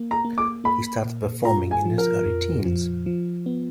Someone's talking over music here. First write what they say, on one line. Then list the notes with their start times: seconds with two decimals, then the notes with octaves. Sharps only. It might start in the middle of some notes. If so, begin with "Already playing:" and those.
He started performing in his early teens.
Already playing: A#3
0.11 A#5
0.25 A#3
0.38 D6
0.64 A#3 B5
1.05 A#2
1.44 F4 A#5
1.71 G#5
1.85 F3
1.98 A#4
2.25 F2
2.65 F3
3.06 F3
3.46 B3